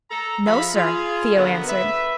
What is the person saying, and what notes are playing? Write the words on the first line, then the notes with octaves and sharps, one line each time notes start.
"No, sir," Theo answered.
A4 A#5
F3 G#4 E5 F5 B5
F4 G#4
D3 F#3 A#3 B3
B4 E5